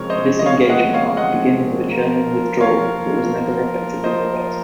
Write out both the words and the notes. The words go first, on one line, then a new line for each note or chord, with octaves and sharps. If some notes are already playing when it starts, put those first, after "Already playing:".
This engagement marked the beginning of a German withdrawal that was never effectively reversed.
Already playing: C#3 F3 G#3 C4 A#4 C#5
C5 D#5
D#5
C#5 F5
D#5 F#5
C#5 F5
D#5 F#5
F3 A#3 F4 A#4
C#5 F5
C5 D#5